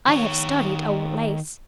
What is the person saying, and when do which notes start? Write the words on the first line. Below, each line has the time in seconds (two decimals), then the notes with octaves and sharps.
I have studied old lace.
0.08 D#3 C#5